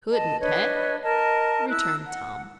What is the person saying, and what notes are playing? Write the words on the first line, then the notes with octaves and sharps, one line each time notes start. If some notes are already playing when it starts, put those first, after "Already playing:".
"Couldn't, heh?" returned Tom.
D#5 A5
D4 B4 C#5 D#5
A#4 D#5 A5
E4 E6 F#6
F#5